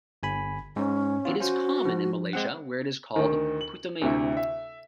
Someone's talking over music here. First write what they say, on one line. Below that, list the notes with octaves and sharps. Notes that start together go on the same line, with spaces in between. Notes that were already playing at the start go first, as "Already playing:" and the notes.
It is common in Malaysia, where it is called "putumayam".
G1 G#5 B5
G#2 C#4
E3 B3 F4
C#4 F#4 C5
F3
G#3 C4 F#5
D2 D#3
F#7
D2 C3 E4
E5